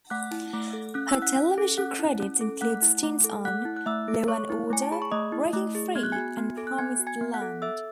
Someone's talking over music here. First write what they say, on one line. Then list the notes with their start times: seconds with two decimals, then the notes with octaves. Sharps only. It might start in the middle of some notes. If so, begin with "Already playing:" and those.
Her television credits include stints on "Law and Order", "Breaking Free", and "Promised Land".
0.10 A3 F#5 F#6
0.31 E4
0.53 A3
0.73 A4
0.94 C#4 F#6
1.08 E6
1.15 E4
1.22 F#5 F#6
1.36 C#4
1.58 A4
1.78 C#4 F#5 F#6
1.99 E4
2.20 C#4
2.41 A4
2.61 A3 F#5 F#6
2.82 E4
3.03 A3
3.24 A4
3.45 A3 F#5 F#6
3.65 E4
3.77 F#6
3.86 A3 E5 E6
4.08 A4
4.28 A3 C#5 C#6
4.50 E4
4.70 A3 G#5
4.82 A5
4.91 G#4 B5
5.02 C#6
5.11 A3 D#5 D#6
5.32 E4
5.53 A3
5.75 G#4
5.95 B3 G#6
6.03 F#6
6.12 F#4 G#5 G#6
6.37 B3
6.57 A4
6.67 F#6
6.78 B3 G#5 G#6
7.00 F#4
7.07 G#5 G#6
7.21 B3
7.34 F#5 F#6
7.42 A4
7.62 A4 E5 E6